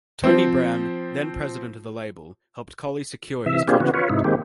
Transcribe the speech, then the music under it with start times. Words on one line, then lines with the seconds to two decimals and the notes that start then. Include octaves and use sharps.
Tony Brown, then-president of the label, helped Collie secure his contract.
0.24 F3 C4
3.46 C3 E3 E5
3.68 A#3 C4 D4 F4 G4 G#4
3.80 C#3 E3 B3 F#4
3.94 F4 B4 C#5
4.09 G#2 C3 D#4 E4
4.24 D#3 G#3 A#3 C4 G4